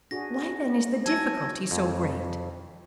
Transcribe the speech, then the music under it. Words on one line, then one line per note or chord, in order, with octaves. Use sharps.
"Why then is the difficulty so great?"
D4 F#4 G#4 A#6
F#3 C#5 G#5 A5 E6 A#6
F2